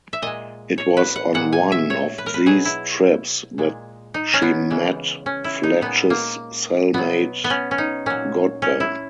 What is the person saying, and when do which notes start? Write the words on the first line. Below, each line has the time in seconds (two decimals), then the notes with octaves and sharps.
It was on one of these trips that she met Fletch's cell-mate Godber.
0.13 E5
0.22 A#2 G#3 D#5
0.78 C#5
0.97 B4
1.16 F#5
1.34 A#2 G#3 F#5
1.53 G#5
1.72 E5
1.90 C#5
2.18 B4
2.26 A#4
2.34 B4
2.46 B2 F#3 G#4
2.65 E4
3.58 A#2 G#3
4.14 D#4
4.34 C#4
4.42 B3
4.70 C#3 E3 G#3
5.26 C#4
5.44 E4
5.63 D#4
5.81 A#2 G#3 B3
6.10 A#3
6.94 B2 F#3 B3
7.44 B3
7.50 C#4
7.71 C#4
7.78 D#4
8.06 A#2 F#3 C#4
8.62 C#4
8.80 E4